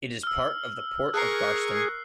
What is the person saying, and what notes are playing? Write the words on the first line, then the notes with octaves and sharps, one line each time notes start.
It is part of the Port of Garston.
E6 F6
G#4 A#4 C#6 F#6 C7